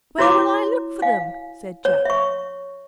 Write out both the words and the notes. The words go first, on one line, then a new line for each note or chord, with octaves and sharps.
"Where will I look for them?" said Jack.
E4 F#4 C#5 A#5 D6
F5 G#5
C#5
E5 C#6